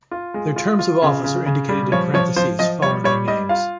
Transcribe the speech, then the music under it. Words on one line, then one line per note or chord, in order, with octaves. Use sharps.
Their terms of office are indicated in parenthesis following their names.
F4
G#3
F4
F4
C#3
C#3
C#3
G3
F3 C#5
F3 C#5
F3 C5
F3 D#5
G3 C#5
G3 C#5
G3 D#5
F4 F5